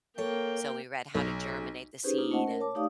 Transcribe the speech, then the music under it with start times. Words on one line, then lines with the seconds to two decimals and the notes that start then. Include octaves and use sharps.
So, we read how to germinate the seed and
0.18 A#3 A4 C#5 G5
1.15 B1
2.03 C#4 D#4 G4 G#4 B4 C5
2.18 A#3 D4 D#4 F4
2.31 A3 C#4 C5 D#5 F#5 A5
2.48 A#4
2.60 C#5 A5 D6
2.75 A3 D#4 G4 D5 F5 D#6